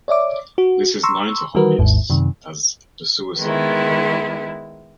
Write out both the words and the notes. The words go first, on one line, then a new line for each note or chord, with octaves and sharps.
This is known to hobbyists as the "suicide battery".
C#5 D5 E5 D6
F#4
A#5 C6 C#6 E6
D#3 E3 G3 F#4 A#4 B4
G#1 D#2 G#2
F#2 C3 D#3
D#3 G#3 B3 E4